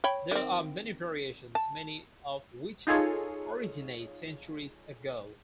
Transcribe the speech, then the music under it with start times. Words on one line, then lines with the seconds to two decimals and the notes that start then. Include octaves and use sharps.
There are many variations, many of which originate centuries ago.
0.04 C#5 G5 B5
0.31 D#3 C4
1.55 A5
2.87 D#4 F4 G#4 A4 C#5